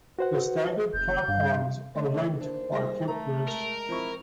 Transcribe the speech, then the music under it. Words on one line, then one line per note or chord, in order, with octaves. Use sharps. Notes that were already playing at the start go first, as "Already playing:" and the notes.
The staggered platforms are linked by footbridge.
F#4 B4 C5 F#5
F#1 G6
G2 F5
D3 A3 C#5 D#5
D#2 D4 A#4 C5
G3 G#3 A#6
A3 A#5
G#3 A#4
F3 C4 E4 C#6